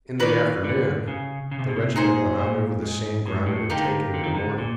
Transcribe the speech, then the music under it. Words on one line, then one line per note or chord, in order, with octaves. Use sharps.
In the afternoon, the regiment went out over the same ground it had taken in the morning.
D#3 F#4 B4 D5
D3
C#3
C#3
C3
B2
C3
A#2 D#4 G#4 C5
A#2
G#2
A2
G#2
A2
D3 A#3 D#4 G4
D3
D#3
D3
A#2